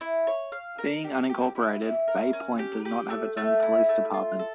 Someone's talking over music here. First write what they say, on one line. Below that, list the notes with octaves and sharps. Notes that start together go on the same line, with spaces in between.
Being unincorporated, Bay Point does not have its own police department.
E4
C#5
F5
A#4
G4
G4
E4
E4
A#4
C#4
G4
G4
A3
A3
E4
A3
F4
A4